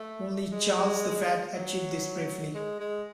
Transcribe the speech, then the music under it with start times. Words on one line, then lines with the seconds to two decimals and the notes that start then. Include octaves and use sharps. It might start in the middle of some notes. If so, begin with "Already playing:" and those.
Only Charles the Fat achieved this briefly.
Already playing: A3
0.52 G#3
1.53 F#3
2.55 G#3
2.80 G#3